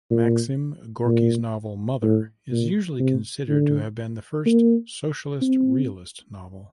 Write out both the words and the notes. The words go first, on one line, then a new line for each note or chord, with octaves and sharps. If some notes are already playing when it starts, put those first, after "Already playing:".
Maxim Gorky's novel "Mother" is usually considered to have been the first socialist-realist novel.
A#2
A#2
A2
A#2
C3
D3
A#3
C4